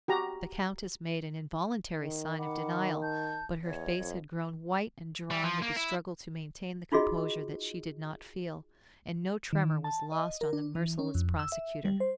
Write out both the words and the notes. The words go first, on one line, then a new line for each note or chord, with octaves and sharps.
The Countess made an involuntary sign of denial, but her face had grown white and drawn with the struggle to maintain the composure that she did not feel, and no tremor was lost on the merciless prosecutor.
F#4 G4 A#5
D#3
F#5 B5 D6
A5 G6
E2 C#5 D#5
F2
G3
F3
A#3
E4
D#4 F4 F#4 G#4 D#5
D#3
A5
D#5
A#4
D4
E3
C#4
F2
E6
E5
G3
C5